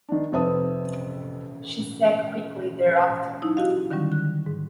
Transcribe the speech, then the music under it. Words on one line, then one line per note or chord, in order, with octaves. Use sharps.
She sank quickly thereafter.
D#3 D4
F2 C3 B4 E5 A5 D#6
F#3 D#4 E4
E4 F#4 G4 D#5 F5
D3 D#3 F#3 G3 C#4
F#6
G#2